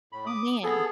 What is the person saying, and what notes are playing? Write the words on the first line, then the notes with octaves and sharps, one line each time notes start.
Oh, man.
A2 B5
D6 D#6
B3 G#4 A4